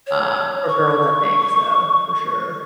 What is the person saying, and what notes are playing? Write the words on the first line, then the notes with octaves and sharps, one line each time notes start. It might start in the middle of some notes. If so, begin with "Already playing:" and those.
uh, for girls, I think, so, for sure.
C#5
C#6